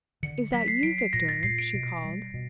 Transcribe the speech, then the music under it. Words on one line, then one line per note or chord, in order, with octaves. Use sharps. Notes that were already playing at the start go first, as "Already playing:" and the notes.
"Is that you, Victor?" she called.
D3 C#7
F#3 B6
C7
F#3 D7
C7
A#2 A#6
A6
A#2 C7
D7
B2
G3
B2